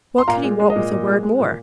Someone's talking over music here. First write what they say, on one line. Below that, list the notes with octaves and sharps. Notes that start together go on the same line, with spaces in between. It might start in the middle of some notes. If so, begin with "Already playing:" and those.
What could he want with a word more?
C6
A#2 F5 A#5
G#3
G#3
D#5
A#2
A#2
G#3
G#3
A#2